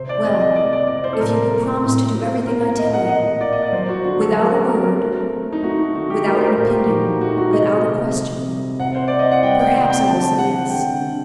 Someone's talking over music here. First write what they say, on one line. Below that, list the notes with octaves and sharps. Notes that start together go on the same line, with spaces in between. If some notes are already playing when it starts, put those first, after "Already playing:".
"Well, if you will promise to do everything I tell you, without a word, without an opinion, without a question, perhaps I will say yes."
Already playing: C3 C4 C5
D5
C3 D#5
D#5
A#3 D5
D5
C3 D5
C5
A4
A2 A#4
G3
A2
C4
A#2 A#4
A#4
A#2 D#5
F#5
F#5
A#3 D#5
A#3 D5
D#5
D5
F#3 C5
F#4
D3 F#4
A4
F#3 A#4
C4 A#4
A#4
A3
A3
D#4
A3 F#4
D#4
D3 F#4
G4
A3 A#4
C5
A#4
A#2 A#4
G4
F#4
A#2 D#4
A3 F#4
D#4
F#4
C3 D#5
C3
C3
G3
C3 F#5
C5
C4 D5
D#5
F#5
G3 G5
G5
C3 G5
G5
D3 A5
D3 F#5
D3 G5
D3